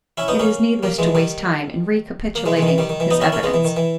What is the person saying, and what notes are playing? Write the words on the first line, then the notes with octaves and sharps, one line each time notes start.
It is needless to waste time in recapitulating his evidence.
C#4 E4
B3 D#4
A#3 C#4
G3 A#3
E3 G#3
D#3 G3
A#3
E3 G#3
E3 G#3
D#3
E3
D#3 G3
D#3
E3
B3 D#4
C#4 E4
A#3 C#4
G#3 B3
E3
D#3
E3